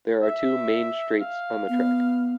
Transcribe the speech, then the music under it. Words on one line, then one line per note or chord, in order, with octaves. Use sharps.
There are two main straights on the track.
E5
F5
B3